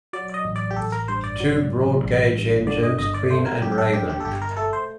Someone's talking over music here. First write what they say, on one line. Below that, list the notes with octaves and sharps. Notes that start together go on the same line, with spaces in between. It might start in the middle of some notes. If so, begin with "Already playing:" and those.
Two broad gauge engines: "Queen" and "Raven".
F#3 D5
D5
D#5
A1
D5
G4
A1 A4
A#4
G2 C5
D5
F#3
A1
A1
G2
D3 D5
D#5
G1 D#5
D5
A3 C5
A#4
F#2 G4
G4
A4
D3 G4
G4
A4
G1 G4
A#4
A3 A4
C5